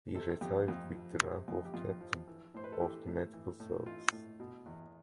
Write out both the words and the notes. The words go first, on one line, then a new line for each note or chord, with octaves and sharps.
He retired with the rank of captain of the medical service.
C3 A4
F2 G4
F2
F3
C3
F2
G4
F2 F4
F3
E3
A2 C5
B4
A4
E3 G4
A2
E3
A2
E3 F4
A2
B2
E2